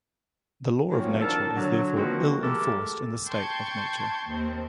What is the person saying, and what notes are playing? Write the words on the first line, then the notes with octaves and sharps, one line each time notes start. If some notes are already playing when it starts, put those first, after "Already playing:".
The law of nature is therefore ill enforced in the state of nature.
D#3 F3 F#3 A#3 C4 C#4
A2 D4 A4 A#4 A5
D3 F#3
B2 D#3 F3 A#3 C4 F#4
G#3 A3 G4 A4 A#4
G5 A5 C6 C#6 G6 G#6
D#2 C4